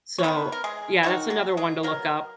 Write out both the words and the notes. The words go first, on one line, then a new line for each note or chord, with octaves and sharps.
So, yeah, that's another one to look up.
C#5
G#3 B3 D#4 B4
D#3
A#4
G#3 G#4
D#3 F#3 G#3 D#4 F#4
F#3 F#4
G#3 G#4
B2 F#3 A#3 A#4